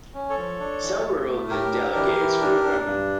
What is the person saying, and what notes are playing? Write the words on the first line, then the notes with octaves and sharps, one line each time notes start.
Several of the delegates were women.
C#4
A4 C#5
F3
D4
E3
A3
A3
A2 G4 A#4
D4
E3
E3
D4
D4
G2